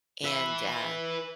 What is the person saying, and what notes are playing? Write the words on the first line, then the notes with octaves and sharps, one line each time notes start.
and, uh,
B4 E5